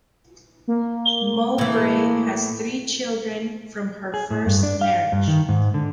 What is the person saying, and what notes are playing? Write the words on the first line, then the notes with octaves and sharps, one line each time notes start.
Mowbray has three children from her first marriage.
A#3
A2 E3
G#4
A2
G2
D4
F5
G2
D#3
G#2
D3